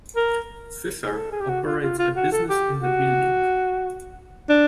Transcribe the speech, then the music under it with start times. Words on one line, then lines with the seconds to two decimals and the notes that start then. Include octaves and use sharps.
Fisher, operates a business in the building.
0.16 A#4
1.06 G#4
1.15 A4
1.32 G#4
1.41 G4
1.49 F#4
1.66 F4
1.82 F4
1.99 F4
2.16 F#4
2.32 A4
2.49 G4
2.82 F#4
4.49 D4